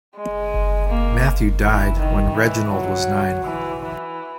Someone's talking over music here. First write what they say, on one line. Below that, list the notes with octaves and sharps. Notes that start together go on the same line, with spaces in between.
Matthew died when Reginald was nine.
G#3
A#3
E3
D#3
E3
F#3
E3
E3